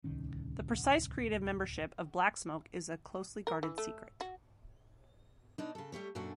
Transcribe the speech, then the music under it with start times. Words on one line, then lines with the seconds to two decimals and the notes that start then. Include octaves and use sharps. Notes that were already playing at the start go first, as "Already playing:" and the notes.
The precise creative membership of Blacksmoke is a closely guarded secret.
0.04 D1 C2 D#3 C#4
3.47 A#4
3.63 E3
3.78 A3
4.21 F#4
5.58 B2 D4 D#4
5.75 C#3 A4
5.92 G3 A3 G4 C#5
6.15 F#2 A#2 A3 C#4 D4 F#4